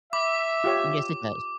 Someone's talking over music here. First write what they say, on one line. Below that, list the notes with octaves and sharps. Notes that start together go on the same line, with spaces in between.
Yes, it does.
E5 B5 D6
F4 G4 C#5